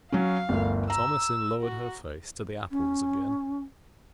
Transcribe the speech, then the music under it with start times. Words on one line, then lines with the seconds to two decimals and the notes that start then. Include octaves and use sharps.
Thomasin lowered her face to the apples again.
0.12 F#3 C#4 F5
0.49 G1 D2 A#4
0.90 A#5 E6
1.62 F#4
2.71 C#4